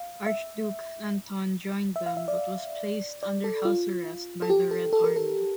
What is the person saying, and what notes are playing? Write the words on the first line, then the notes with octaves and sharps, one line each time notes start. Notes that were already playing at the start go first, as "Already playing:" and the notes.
Archduke Anton joined them but was placed under house arrest by the Red Army.
Already playing: F5
E5
E5
F5
E5
D5
D5
A4
F4
A4
G4
A4
A4
A#4
A4